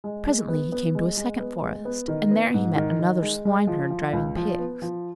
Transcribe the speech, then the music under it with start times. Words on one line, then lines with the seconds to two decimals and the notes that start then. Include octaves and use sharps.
Presently he came to a second forest, and there he met another swineherd driving pigs.
0.04 G#3
0.26 G#3
0.49 B3
0.72 B3
0.95 G#3
1.17 G#3
1.40 B3
1.62 G#3
1.85 B3
2.08 D#3
2.31 B3
2.54 G#2
2.76 D#3
2.99 D#3
3.22 G#3
3.45 G#3
3.67 F3
3.90 F3
4.13 C#2
4.36 F3
4.59 B3
4.82 F3